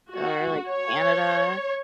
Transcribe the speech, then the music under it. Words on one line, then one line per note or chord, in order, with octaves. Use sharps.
or, like, Canada
F#4
C#5